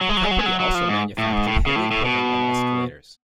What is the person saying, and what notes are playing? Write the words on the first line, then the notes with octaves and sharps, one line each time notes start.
The company also manufactured heavy equipment and escalators.
F#3
G#3
F#3
G#3
F#3
G#3
F#3
F#3
F3
G#2
A2
G#2
A2
C#3
A2
A2
B2